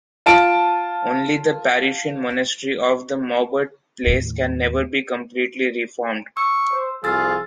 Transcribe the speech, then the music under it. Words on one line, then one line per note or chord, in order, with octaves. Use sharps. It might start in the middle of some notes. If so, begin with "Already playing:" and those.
Only the Parisian monastery of the Maubert place can never be completely reformed.
F4 A5 D7
D#2 A2
C#6 E6
C5
C2 F3 F4 G#4 E6 A6